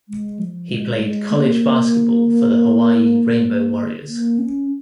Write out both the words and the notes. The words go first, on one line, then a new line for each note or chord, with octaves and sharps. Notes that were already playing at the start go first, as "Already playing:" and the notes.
He played college basketball for the Hawaii Rainbow Warriors.
G#3
F3
G#3
G#3
A#3
A#3
C#4